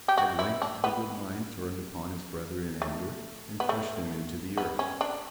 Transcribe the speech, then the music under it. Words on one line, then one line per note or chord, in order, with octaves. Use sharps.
At length the Good Mind turned upon his brother in anger, and crushed him into the earth.
G4
F#4
E4
D4
B3
A3
B3
A3
B3
C#4
D4